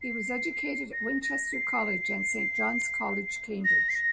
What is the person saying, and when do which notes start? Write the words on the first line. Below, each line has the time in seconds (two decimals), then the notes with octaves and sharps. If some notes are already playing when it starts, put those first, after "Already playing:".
He was educated at Winchester College and Saint John's College, Cambridge.
0.02 C7
0.92 A#6
1.23 A#6
1.53 C7
3.65 A#6
3.89 C7
3.95 A#6